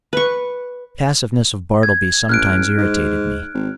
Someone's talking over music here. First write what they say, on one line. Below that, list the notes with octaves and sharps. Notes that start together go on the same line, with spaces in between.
The passiveness of Bartleby sometimes irritated me.
B4 C#6
G#6
A1 F6 F#6 D7
G#2
G#1